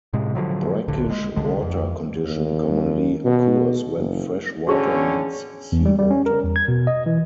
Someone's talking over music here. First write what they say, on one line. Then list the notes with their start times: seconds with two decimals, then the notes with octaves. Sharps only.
Brackish water condition commonly occurs when fresh water meets seawater.
0.13 A2 C3 G#3
0.35 D3 F3 F#3
0.88 D1 A#1 D3
1.10 G#3
1.36 C2 D3 G#3
1.62 F2
2.24 D#2
3.24 B2
3.95 F#1
4.67 A2 D3 C#4 F#4 G#4 C#6
5.72 E2
5.85 G3
5.99 G3
6.11 C#4
6.26 A#4
6.43 E2
6.56 G#6
6.68 B2
6.87 D#5
7.06 E3